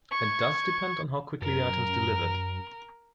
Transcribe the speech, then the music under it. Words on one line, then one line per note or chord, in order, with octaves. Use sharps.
It does depend on how quickly the item is delivered.
C#6 G#6
F#2 A#4